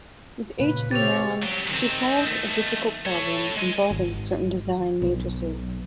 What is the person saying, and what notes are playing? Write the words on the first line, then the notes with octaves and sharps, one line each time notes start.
With H. B. Mann, she solved a difficult problem involving certain design matrices.
A#2 C#3 A#3 B4
C4 G4 C#5 F5 A6 F7
F#3 G4
D#3 C4
D#3 A3
A4 C#5
G#3 G#5
G#1
B1